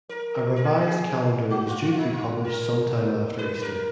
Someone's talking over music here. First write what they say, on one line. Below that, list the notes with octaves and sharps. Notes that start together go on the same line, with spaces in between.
A revised calendar was due to be published sometime after Easter.
A#4
A#4
G#4
F#4
G#4
F#4
F4
F4
D#4
F4
A#4
B4
A#4